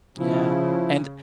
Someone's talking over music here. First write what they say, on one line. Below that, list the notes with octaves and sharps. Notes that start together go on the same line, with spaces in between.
Yeah, and,
C#3 F3 E4